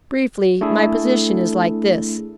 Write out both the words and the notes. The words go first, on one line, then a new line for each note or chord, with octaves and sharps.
Briefly, my position is like this.
A3 D4 E4 G#4 A4